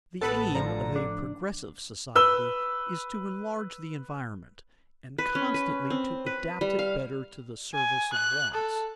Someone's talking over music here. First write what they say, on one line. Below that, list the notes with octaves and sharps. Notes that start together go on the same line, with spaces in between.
The aim of a progressive society is to enlarge the environment, and constantly to adapt it better to the service of wants.
A1 B3 A4 B4 A5 B5
D3 F3 A#5
D4
B4 E6 G7
B4
C#4
B4
C4
B4
G3
F5
G#5
F#6
A4